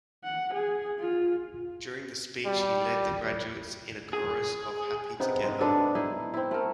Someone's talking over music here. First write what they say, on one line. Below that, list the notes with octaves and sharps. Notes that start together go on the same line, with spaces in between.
During the speech he led the graduates in a chorus of "Happy Together".
F#5
G#4
F4
G3
G#4
C3 B3 D#4
G#2 G#3
G#3 B3 D4 A4
D#4 E4 G#4
C4 E4
A3 A#4